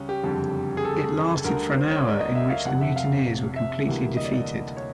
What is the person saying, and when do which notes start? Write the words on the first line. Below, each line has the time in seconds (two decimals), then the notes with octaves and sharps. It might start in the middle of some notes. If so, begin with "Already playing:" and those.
It lasted for an hour in which the mutineers were completely defeated.
Already playing: C#2 G3 C#4
0.09 G4
0.23 F#1 F2 D3 G3
0.77 G#4
0.85 A4
1.44 D2 D3 G3 A#4
1.75 C5
1.90 C#5
2.05 D5
2.20 D#5
2.35 E5
2.50 F5
2.65 F1 F2 C3 F#5
2.81 E5
2.96 F5
3.56 E5
3.87 D2 C3 E3 G3 A#3
4.17 D#5
4.25 D5
4.33 D#5
4.77 C#5